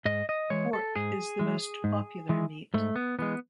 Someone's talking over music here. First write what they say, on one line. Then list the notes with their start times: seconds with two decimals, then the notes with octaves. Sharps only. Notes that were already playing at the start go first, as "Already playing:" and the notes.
Pork is the most popular meat.
0.05 G#2 D#5
0.29 D#5
0.50 E3 G#3 C#5
0.73 A4
0.96 G#2 G#4
1.39 E3 G#3
1.84 G#2
2.29 E3 G#3
2.74 G#2 A3
2.96 B3
3.19 E3 G#3 B3